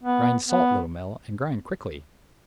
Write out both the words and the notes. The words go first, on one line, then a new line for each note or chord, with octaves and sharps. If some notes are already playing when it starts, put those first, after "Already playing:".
"Grind salt, Little Mill, and grind quickly!"
B3
B3